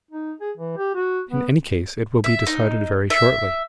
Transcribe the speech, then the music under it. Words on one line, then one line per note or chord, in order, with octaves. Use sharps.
In any case it will be decided very shortly.
D#4
G#4
E3
G4
F#4
B3
E5
D#4
E5